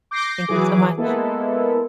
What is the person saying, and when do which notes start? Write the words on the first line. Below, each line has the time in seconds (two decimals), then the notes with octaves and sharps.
Thank you so much.
0.11 D6 G6 A#6 C7 D7
0.48 E3 F#3 G#4 D6
0.97 G#3 A#3 B3 E4 A4